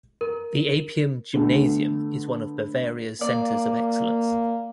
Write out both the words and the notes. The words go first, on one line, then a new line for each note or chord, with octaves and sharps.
The Apian-Gymnasium is one of Bavaria's centres of excellence.
A#4
D3 A3 B3
A#3 D5